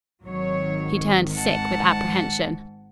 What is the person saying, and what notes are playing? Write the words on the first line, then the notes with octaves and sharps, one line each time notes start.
She turned sick with apprehension.
G#1 D#3 F#3 C#5
G#2 F#5 A5